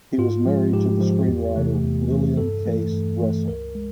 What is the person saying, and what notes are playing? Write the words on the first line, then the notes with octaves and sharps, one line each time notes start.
He was married to the screenwriter Lillian Case Russell.
G#2 F4
F3 G#3
G#2 G4
F3 G#3
E2
C3 E3 A3
E2
C3 E3 A3
G2 A4
E3 A3
G2
E3 A3
C#2 A#4
G#3